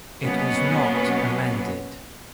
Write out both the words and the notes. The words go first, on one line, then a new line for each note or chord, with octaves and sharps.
It was not amended.
B2 F#3 A#3 B3 C#4